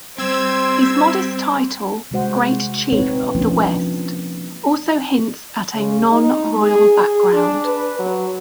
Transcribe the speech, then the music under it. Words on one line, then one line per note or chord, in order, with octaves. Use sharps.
His modest title 'Great chief of the West' also hints at a non-royal background.
G3 C4 C5 E6 G#6
C3 G3 G#3 F#4 C5 F#5
C4 D#4 B4 C#5
F3 A#3 C#4 D4 E4 F4
C#3
D#4
G#4
G#4
D4
B4
F#3